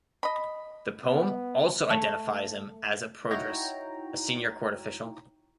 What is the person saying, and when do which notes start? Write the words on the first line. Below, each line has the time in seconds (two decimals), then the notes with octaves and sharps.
The poem also identifies him as a proedrus, a senior court official.
0.23 D#5 B5
1.06 B3
1.90 A3
3.31 D#4 E4 F#4 C#5 G5 A#5